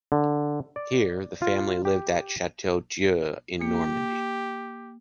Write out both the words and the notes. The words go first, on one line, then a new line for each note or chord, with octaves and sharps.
Here, the family lived at Château d’Eu in Normandy.
D3
D5
F4
G4
A#3 G4